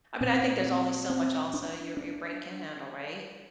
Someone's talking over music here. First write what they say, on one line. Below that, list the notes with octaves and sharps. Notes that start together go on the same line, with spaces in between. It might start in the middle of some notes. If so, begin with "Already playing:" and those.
I mean, I think there's only so much also your, your brain can't handle, right?
A#2 C4
C4
C4
D4
D4